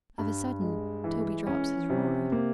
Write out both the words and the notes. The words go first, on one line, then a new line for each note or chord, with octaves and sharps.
Of a sudden Toby drops his Aurora.
G2
G#3
E3
C#4
C3
A#3